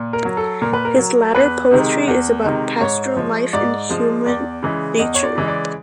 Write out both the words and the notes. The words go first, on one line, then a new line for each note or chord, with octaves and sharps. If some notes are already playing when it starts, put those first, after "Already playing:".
His latter poetry is about pastoral life and human nature.
Already playing: A#2
A#4
F#3
A4
A#2 A#4
B4
A#4
F#3
E2 B4
C3 D#3 G#3
E2
C3 D#3 G#3
G#2 C#5
F3 G#3
G#2 D5
F3 G#3
E2 D5
C#3 E3 G#3
E2 D#5
C#5
D5
C#3 E3 G#3
D5